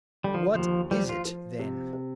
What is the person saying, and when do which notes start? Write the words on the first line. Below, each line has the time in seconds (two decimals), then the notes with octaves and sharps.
"What is it, then?"
0.24 D3 G3
0.34 F3
0.55 D#2 F3
0.91 F3 G3
1.09 F4
1.25 F3
1.59 C3
1.93 C3